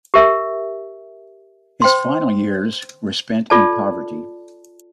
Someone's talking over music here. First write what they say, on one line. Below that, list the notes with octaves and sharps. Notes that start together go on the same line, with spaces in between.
His final years were spent in poverty.
G4 A#4 E5
C5 G5 C6
F4 A4 D5 A5